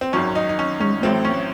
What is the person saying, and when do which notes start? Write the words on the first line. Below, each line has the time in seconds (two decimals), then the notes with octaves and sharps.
yeah. Mhm.
0.01 C4
0.13 G#1 F#2 D#3 F#3 C#4
0.35 D#4
0.49 D#4
0.59 C#4
0.80 C#4
1.03 A1 A2 F#3 C4
1.25 C#4